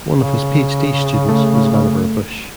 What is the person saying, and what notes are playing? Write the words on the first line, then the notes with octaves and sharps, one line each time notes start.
One of his PhD students was Vannevar Bush.
C#3
A3